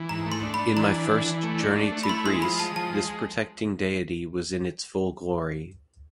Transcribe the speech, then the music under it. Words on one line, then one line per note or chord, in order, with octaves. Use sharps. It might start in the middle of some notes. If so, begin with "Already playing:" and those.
In my first journey to Greece, this protecting deity was in its full glory.
Already playing: E3
G#2 A#5
A3
C6
D4
B5
D4
E3 A#5
D4
E3
E3
A3
D4
A3
A3
B5
E4 C6
G#3 C6
F3 B5
G#3 A5
F3 A5
G#3